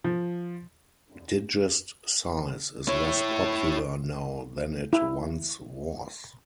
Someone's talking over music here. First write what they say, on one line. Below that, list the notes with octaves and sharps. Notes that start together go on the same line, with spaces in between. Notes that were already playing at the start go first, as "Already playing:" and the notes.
Digest size is less popular now than it once was.
F3
E4 C#5
E4